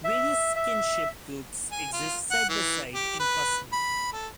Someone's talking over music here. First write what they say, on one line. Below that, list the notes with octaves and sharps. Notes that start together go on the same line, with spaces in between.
Various kinship groups exist side by side in Pasni.
E5
E5
G#5
F4
F#5
E3
G4
B4
B5
A4